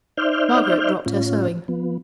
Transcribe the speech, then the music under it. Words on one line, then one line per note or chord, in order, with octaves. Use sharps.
Margaret dropped her sewing.
D#4 C5 D5 E5 F6 G6
A2 C#4 F4
F3 B3